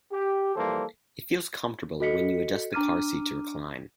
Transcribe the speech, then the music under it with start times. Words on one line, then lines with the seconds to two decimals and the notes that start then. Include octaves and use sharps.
It feels comfortable when you adjust the car seat to recline.
0.11 G4
0.55 E3 F3 G3 A#3 A4 C5
2.00 F#4 A4 D#5 B6 C#7
2.73 D4 A#5 D6 F6 D#7